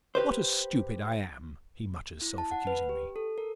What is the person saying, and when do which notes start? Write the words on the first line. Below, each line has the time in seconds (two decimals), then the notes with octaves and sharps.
"What a stupid I am!" he mutters self-accusingly.
0.15 G4 B4 C5
2.22 E4
2.38 A5
2.51 F#5
2.67 B4
2.89 G4
3.16 A4
3.38 A#4